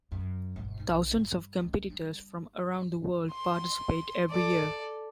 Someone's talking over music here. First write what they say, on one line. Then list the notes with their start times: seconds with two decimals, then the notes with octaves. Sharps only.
Thousands of competitors from around the world participate every year.
0.12 F#2
0.56 G1 B2
0.78 B1 B2
1.19 G2 G3
1.60 C#2
1.90 G3 D4
3.32 C6
4.30 A4 D5